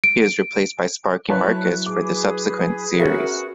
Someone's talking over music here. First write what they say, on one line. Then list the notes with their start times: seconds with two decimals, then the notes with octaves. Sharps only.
He was replaced by Sparky Marcus for the subsequent series.
0.04 D7
1.29 F#3 E4 B4 C#5 A5 F#6
1.86 G#4 B4 D6
2.99 C#4 F#4 A#4 E5